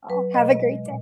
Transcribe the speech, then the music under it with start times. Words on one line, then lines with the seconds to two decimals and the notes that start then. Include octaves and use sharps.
Aw, have a great day.
0.09 F#3 B4
0.34 B2 D#5
0.60 G#3
0.86 A#2